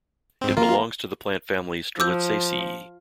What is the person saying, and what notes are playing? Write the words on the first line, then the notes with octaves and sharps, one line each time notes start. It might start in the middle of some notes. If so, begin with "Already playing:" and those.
It belongs to the plant family Strelitziaceae.
G#2 C4
A#3 F4
F3 D6 E6 G6